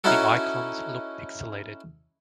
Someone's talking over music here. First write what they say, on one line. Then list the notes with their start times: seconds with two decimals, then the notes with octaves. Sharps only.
The icons look pixelated.
0.04 C#4 D#4 E4 F#4 A4